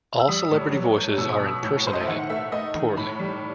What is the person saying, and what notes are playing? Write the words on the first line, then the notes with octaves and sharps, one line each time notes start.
All celebrity voices are impersonated - poorly.
E6
G3 D#6
A2
F#3
A3
B2 E6
D#6
B2
E6
A2
A2 C5
D#5
E5
D#3 F#5
A3 E5
A3 D#5
D#3
A2 B5
G3